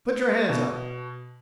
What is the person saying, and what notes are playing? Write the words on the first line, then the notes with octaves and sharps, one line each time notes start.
"Put your hands up!"
B2